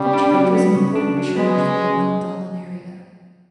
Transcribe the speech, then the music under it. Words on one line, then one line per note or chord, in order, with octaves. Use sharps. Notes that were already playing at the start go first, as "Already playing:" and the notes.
The church was an important church for the Namdalen area.
Already playing: C#3 G3
D4
F#3
B3
C#3
D4
F#3
G#3 B3
C#3